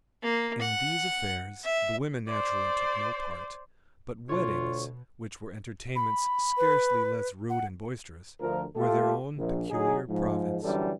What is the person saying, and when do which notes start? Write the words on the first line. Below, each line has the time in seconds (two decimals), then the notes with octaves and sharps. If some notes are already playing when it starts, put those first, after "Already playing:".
In these affairs the women naturally took no part; but weddings, which were entertainments scarcely less rude and boisterous, were their own peculiar province.
0.23 A#3
0.61 F#5
1.64 E5
2.27 C5 D5
4.29 D2 B2 F4 C#5
5.96 B5
6.58 B4
7.49 F#5
8.41 D2 F3 A#4
8.76 A3 F4 G4 A4
9.36 A#1
9.70 D2 F#3 D#4 G#4
10.08 G#2 F3
10.62 F#2 D3 E3 F#3 G3 A4